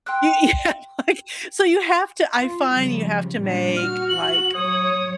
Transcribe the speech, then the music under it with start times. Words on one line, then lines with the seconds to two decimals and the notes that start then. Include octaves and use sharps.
Y yeah, like, so you have to I find you have to make, like
0.06 G5 C6 E6 F#6
2.41 F4
2.72 C#3 F3 G3
3.39 A#2 G3 D4
3.77 F#4 F6
4.09 F#7
4.54 F#3 C#5 D#6